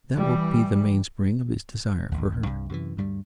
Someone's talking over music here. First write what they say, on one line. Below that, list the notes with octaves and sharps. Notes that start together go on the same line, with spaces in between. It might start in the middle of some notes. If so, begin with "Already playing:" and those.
And that will be the mainspring of his desire for her.
E3 G3
A1 D#2
C2 G2 C3
F#2 C3 D#3 E3
D2 G2 G3